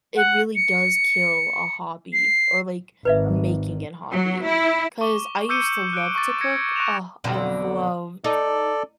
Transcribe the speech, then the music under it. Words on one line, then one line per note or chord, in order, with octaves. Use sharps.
it really does kill a hobby or like a making-it hobby. 'Cause I used to love to cook. Ah, I loved
F#5
C#7
C7
G#1 B4 D5 E5
F#3
E4
C#6 D6 G7
D6 E6 G6 C#7 D#7 G7
F#6 D7
C#6 D6 A6
G#6 A#6 C#7
C#6 F#6 A#6 D7 E7 F7
F2 B2 D3
D#4 A4 D5